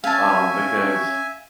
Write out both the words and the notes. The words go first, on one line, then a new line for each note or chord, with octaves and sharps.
Um, because,
C#4 E5 F5 G#5 A5